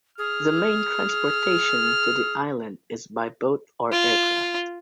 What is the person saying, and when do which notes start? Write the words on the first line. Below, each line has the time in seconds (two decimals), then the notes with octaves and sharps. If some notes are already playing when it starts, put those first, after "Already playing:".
The main transportation to the island is by boat or aircraft.
0.18 G#4 F6
3.92 F4